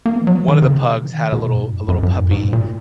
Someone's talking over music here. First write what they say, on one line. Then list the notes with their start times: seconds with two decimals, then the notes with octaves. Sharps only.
one of the pugs had a little a little puppy,
0.06 A#3
0.16 B3
0.22 E3
0.27 F#3
0.37 E3
0.48 D#3
0.62 C#3
0.76 B2
0.90 C#3
1.03 E3
1.10 D#3
1.33 B2
1.47 A#2
1.55 F#2
1.60 G#2
1.74 F#2
1.88 F#2
2.03 F#2
2.16 G#2
2.31 G#2
2.44 B2
2.53 A#2